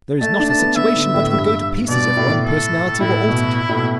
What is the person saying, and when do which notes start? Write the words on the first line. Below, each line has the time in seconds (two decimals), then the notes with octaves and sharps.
There is not a situation but would go to pieces if one personality were altered.
0.20 A3 A5
0.40 D4
0.49 A5
0.59 B3
0.76 B3 E5
0.96 D3
1.14 A2
1.32 G2
1.88 B2 D5
2.17 A2
2.45 A4
3.00 A2 E4
3.28 B2
3.69 A2
3.74 B2